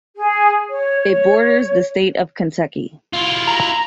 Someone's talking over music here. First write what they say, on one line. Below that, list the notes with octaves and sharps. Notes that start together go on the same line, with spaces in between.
It borders the state of Kentucky.
G#4
C#5
C#5
E4 F4
A#5